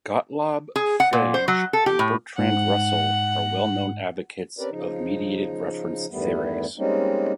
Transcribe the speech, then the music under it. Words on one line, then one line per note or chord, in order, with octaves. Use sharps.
Gottlob Frege and Bertrand Russell are well-known advocates of mediated reference theories.
G#4
F#5
A#2
C5
F#3
A4
G4
A2
G#2 F#5
C4 C#4 G4 A#4 B4 D5
C#3 F3 D#4
E2 G2 D#3 G3 A3 B3
G3 G#3 A#3 C4 C#4 D#4